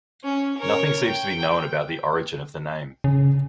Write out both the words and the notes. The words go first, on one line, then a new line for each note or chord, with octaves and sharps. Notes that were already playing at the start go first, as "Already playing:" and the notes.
Nothing seems to be known about the origin of the name.
C#4
A#4 C#5
G5
C#3